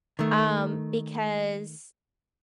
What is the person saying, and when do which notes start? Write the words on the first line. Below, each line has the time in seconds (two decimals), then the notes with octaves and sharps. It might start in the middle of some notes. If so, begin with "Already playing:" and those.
Um, because
0.19 D#3 A3